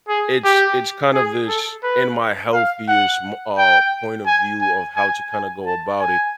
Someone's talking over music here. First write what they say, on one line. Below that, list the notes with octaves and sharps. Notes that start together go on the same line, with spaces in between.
it's it's kind of this in my healthiest m uh, point of view of how to kinda go about it.
G#4
G4
G#4
A4
B4
F5
F#5
G5
G#5
G#5
G#5
G#5
A5
G#5